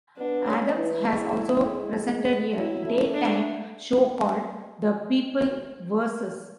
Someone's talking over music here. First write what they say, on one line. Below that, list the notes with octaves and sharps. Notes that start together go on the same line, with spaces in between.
Adams has also presented a daytime show called "The People Versus".
B3 D4
C#4
E3 E4
G#3
A3
G#3
F#3 E4
A3
D4